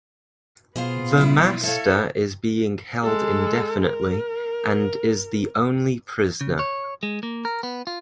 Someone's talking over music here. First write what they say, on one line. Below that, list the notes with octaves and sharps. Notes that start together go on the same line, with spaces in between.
The Master is being held indefinitely and is the only prisoner.
B2 B3 F4 G#4 C5 F5
G3 E4
A4 C#5 E5 F5
G#3 A4
A#4
C#3
C#5
G#3
A#3
A#4
B3
F4